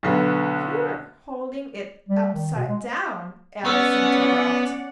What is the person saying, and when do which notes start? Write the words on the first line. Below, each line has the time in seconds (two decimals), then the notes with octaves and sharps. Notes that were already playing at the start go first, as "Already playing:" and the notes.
'You're holding it upside down!' Alice interrupted.
0.03 B1 D3 B3
2.09 G3
2.34 D#3
2.54 B2
2.69 G#3
3.65 B3 C#4 D5 F#5 C#6 E6 F6